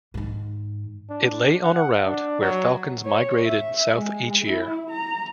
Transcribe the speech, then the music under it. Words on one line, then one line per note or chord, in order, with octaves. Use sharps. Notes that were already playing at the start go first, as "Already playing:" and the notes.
It lay on a route where falcons migrated south each year.
G#2 D#3
D4
F#5
D4
F#3
C#5
E5
G#3
E4
A#5